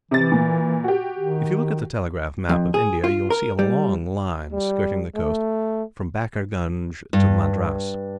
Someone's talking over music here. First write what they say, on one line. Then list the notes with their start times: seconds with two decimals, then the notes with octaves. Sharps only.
If you look at the telegraph-map of India you will see a long line skirting the coast from Backergunge to Madras.
0.11 C3 E3 A6
0.32 A#2
0.84 F#4 G4
1.19 D#3
2.49 F2
2.74 G#4
3.04 F4
3.30 A#4
3.59 G3
4.52 G3
5.15 A3
7.13 G2